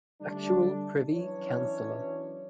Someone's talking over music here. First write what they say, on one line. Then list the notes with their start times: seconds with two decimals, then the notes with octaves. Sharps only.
Actual Privy Councillor.
0.21 D3 G3 A3 D4
1.12 E3 F#3 C#4 D4 E4 C#5